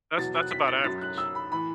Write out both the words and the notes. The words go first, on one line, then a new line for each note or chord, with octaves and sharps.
that's that's about average.
E2 B2 F#3 A6
F#6
B6
A6
F#2 F#3 A6
F#6
E6
B5
A2 E3 B5